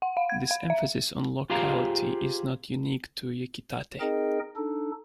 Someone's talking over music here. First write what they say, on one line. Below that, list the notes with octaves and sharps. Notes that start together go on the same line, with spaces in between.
This emphasis on locality is not unique to Yakitate!!
F#5
F5
G#6
F5
E5
F4 G4 G#4 C5 F5 A#5
C4 D#4 G#4 A#4 D#5 G5
D4 D#4 A4